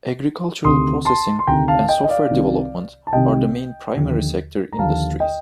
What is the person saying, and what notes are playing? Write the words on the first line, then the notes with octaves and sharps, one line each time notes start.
Agricultural processing and software development are the main primary-sector industries.
D2 C3 D#3 C6 D#6
A5 C6
C6
D2 C3 D#3 G5 A#5
F5 A5
D#5 G5
D#5
D5 F5
C2 C3 D#3
A5
C2 C3 D#3 D#5 G5
D#2 D3 F3
A#5
D#2 D3 F3 F5 A5
D#5 G5